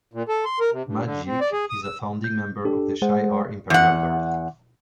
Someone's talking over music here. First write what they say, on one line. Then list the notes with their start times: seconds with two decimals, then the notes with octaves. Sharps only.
Magique is a founding member of the Shi'ar Imperial Guard.
0.14 A#2
0.29 A4
0.45 C6
0.60 A#4
0.72 C3
0.86 G2
1.04 D3
1.27 C4
1.41 D5
1.52 G#4
1.70 D#6
1.83 E6
2.24 G6
2.65 D4 G4 A4
3.02 G#3 G#4 C5 F#5
3.70 E2 F#5